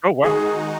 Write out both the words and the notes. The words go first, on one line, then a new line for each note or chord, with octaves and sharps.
Oh, wow.
D#3 G#3 D#4 F#4 G#4